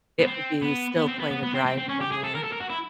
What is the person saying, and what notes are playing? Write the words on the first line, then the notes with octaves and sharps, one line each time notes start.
it would be still quite a drive from there.
B3
C4
B3
B3
C4
B3
B3
B3
C4
C4
C4
C#4
G4
G#4
A4
A#4
A4
A#4
F#4
E4